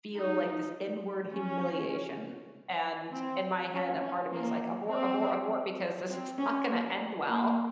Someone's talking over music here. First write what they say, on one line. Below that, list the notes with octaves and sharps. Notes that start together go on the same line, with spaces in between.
feel like this inward humiliation. And in my head, a part of me is, like, "Abort, abort, abort," because this is not gonna end well,
D#4
C#4
C4
C#4
C#4
A#3
C4
C4
C#4
A#3
A#3